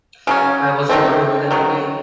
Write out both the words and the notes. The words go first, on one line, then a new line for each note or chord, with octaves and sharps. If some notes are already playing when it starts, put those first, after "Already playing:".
I was rewarded with an idea.
C#3 F#3 C#4
D#3 F#3 A3 C4
D#3 F#3